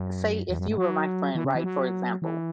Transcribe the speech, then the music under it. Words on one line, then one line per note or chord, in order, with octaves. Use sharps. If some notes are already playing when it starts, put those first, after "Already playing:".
say if you were my friend, right, for example,
Already playing: F#2
E2
F#2
G#2
F#3
E3
C#3
E3
F#3
E3